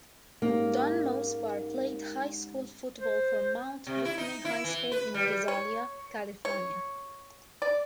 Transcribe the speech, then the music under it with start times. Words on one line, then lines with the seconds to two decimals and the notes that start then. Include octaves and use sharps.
Don Mosebar played high school football for Mount Whitney High School in Visalia, California.
0.42 G#2 A#3 C#4 G4
3.00 C5
3.87 C3
4.05 E4
4.18 D#4
4.45 E4
4.64 E3
4.92 B4
5.14 G3
5.27 G3
5.48 C#5
6.45 C#5
7.62 D5